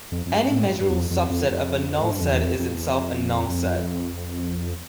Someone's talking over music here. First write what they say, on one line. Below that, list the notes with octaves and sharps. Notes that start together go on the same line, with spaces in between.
Any measurable subset of a null set is itself a null set.
F2
F2
G2
A2
G2
G2
E2
F2
F2
F2
F2
A2
G2
F2
E2
F2
F2
E2
F2
F2